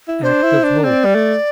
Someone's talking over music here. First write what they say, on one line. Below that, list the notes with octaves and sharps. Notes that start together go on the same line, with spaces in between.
Act of Hope.
E4
D4 C5
E4
D4
C4 D5
G3
A3